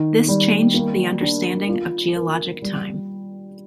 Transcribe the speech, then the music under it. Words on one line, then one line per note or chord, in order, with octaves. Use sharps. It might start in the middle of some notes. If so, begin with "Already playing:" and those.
This changed the understanding of geologic time.
Already playing: D#3
G3
A#3
D4
F4
A#4
G3